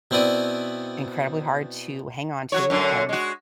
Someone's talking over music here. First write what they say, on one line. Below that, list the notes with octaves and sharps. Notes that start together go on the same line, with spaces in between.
incredibly hard to hang on to, and
B2 B3 C4 E4 D5 D#6
F#3 F#4 C#5
F#2 D3
G#3 F#4